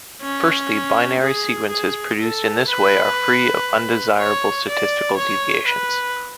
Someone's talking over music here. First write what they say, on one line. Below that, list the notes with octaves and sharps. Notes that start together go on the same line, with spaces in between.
Firstly, binary sequences produced in this way are free of undesirable statistical deviations.
C#4
G#4
G#4
A4
B4
C#5
D5
C#5
B4